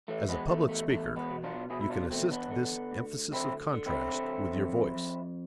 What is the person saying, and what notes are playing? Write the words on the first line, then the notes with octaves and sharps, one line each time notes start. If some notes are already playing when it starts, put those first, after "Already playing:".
As a public speaker you can assist this emphasis of contrast with your voice.
E3 A3
G#3 B3
E2 A3
A3
E2 A3
G#3 B3
B2
D4 F4
B2 E4 G#4
E4
D4 F4
E2 A3 C4
B3 D4
D3
D2
D3 C4 E4
D3
C4 E4
D3
F2
F2